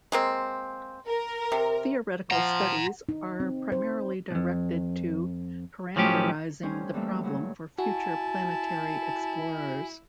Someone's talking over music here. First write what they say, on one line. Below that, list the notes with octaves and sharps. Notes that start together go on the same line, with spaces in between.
Theoretical studies are primarily directed to parameterizing the problem for future planetary explorers.
G#3 A#3 C4
A#4
C3
F3 F#5 A#5 C6
D#4
C4
C5
B1 F2
A2 F3 F#3 C#4 G4
D2 G3 C#4 C5 G#5
E3 G3 A3 A#3 E5
G2 C#3 E3 F#3
E4 F#4 G#5 A5